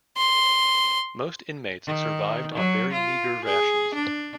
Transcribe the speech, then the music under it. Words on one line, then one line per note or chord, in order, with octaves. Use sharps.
Most inmates survived on very meagre rations.
C6
D#3
F#3
F4
G#4
D4